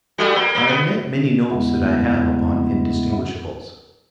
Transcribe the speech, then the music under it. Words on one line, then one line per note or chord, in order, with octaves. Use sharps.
I omit many notes that I have upon indistinguishables.
G3 A3 F#4
A#3
A#3
B3
E2 C#3 G#3 A3 B3 E4